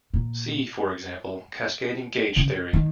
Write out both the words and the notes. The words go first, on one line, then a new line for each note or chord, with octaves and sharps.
See, for example, cascading gauge theory.
A#2
C#3
D#3